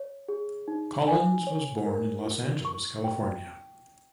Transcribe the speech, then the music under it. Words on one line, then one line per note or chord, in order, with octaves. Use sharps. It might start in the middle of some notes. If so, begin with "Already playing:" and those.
Collins was born in Los Angeles, California.
Already playing: C#5
G#4
D#4
G#5
C#5
A#4
E4
C#6
G5